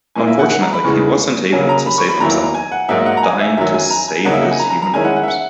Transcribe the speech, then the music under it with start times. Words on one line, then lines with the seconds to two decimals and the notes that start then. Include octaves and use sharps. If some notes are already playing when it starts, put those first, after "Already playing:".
Unfortunately, he wasn't able to save himself, dying to save his human peers.
0.15 A#2 A#3 E4 G#5
0.28 E5
0.39 F#5
0.50 F#5
0.62 A#5
0.73 B5
0.84 E2 C#3 E3 G#3 C#6
1.52 C#3 F#3 A#3 C#4 G#5
1.69 A#5
1.87 B5
1.98 C#6
2.09 B5
2.20 E2 D#3 F#3 A#3 E4 A#5
2.43 A#5
2.55 G#5
2.72 F#5
2.89 G#2 F#3 A#3 D#4 E5
3.06 F#5
3.17 A#5
3.23 G#5
3.40 E5
3.57 F#2 D#3 F#3 E5
3.74 G#5
3.91 A#5
4.08 G#5
4.25 C#3 F#3 A#3 D#4 F#5
4.34 E5
4.42 F#5
4.51 G#5
4.60 A#5
4.70 A#5
4.82 A#5
4.93 D#3 G#3 C#4 E4 G#5
5.05 F#5
5.16 F#5
5.23 E5
5.28 F#5